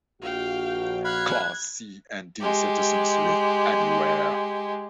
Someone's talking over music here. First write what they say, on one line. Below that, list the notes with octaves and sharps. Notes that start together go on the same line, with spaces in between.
Class C and D citizens live anywhere.
A#1 F#4 F5 G5
F5 B5 F#6 G#6
G#3 G4